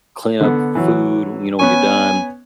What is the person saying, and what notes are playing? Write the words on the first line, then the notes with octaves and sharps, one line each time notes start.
clean up f food, you know, when you're done,
D3 B3
E3 F#3
B3 C#4 G#5 C#6